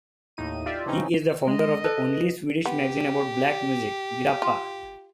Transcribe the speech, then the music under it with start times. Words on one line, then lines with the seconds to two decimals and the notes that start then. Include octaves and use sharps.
He is the founder of the "Only Swedish Magazine about Black Music", "Gidappa".
0.37 D#2 A2 D#4 D#7
0.66 F4 G4 D5 E5
0.86 C#3 E3 F3 C4 C#4 D#4
1.48 G#3 D#5
1.84 A4 B4
2.65 B3 G4
4.42 F4